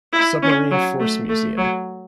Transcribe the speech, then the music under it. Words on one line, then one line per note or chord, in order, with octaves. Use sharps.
Submarine Force Museum.
E4
C#4
F#3
A3
A3
F#3